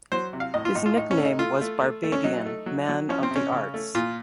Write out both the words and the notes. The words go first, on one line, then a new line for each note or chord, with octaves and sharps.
His nickname was "Barbadian Man of the Arts".
F#3 C5
C3
F5
A2 D#5
F4
A2 D#4
F4
A2 D#4
C#4
A3
D#4
A3 F4
A3
A3
A3
C#4
F#3 D#4
A3
F#3
F#3
F3 C#4
C4
C3 C#4
C#3
A3
A#2 F4